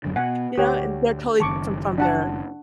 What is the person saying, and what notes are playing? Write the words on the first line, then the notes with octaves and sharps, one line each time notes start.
You know, and they're totally different from their
G#1 F#2 D3
B2 F#5 G#5
D2 G4 C#5 F#5
F#1 D#3 A5 C#6 D6
D4 F#5 A5